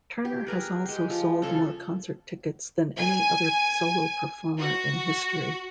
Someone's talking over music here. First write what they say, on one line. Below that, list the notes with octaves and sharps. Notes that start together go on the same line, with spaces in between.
Turner has also sold more concert tickets than any other solo performer in history.
G4
G#4 A#4 B4
G#3 G4
F3
C#3 A4
G#5
F#4